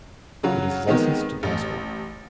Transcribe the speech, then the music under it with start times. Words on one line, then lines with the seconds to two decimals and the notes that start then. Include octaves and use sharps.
It is licensed to Pasco.
0.43 C#3 F#3 F4
0.87 D#3 G#3 B3 C4 D#4
1.43 A1